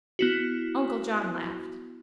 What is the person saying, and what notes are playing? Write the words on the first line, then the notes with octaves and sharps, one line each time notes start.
Uncle John laughed.
B3 E4 F#4